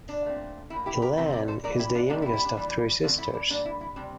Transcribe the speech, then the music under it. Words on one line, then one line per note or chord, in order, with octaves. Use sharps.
Elaine is the youngest of three sisters.
D4
A#2 A3 C4
A2 G3 E4
A#3
E4 G4
G4 A#4
C3 F3 A3 C4 G4 A#4
A#4 D5
A4 C5
E3 A#3 A#4 D5
E4 G4
D4 F4
C3 G3 A#3 D4 F4
E4
E4
D4
E3 G3 A#3
D3 A3 C4 D4 F4
E4
D4
D3 G3 A#3 D4
E4
E4
C3 G3 C4 D4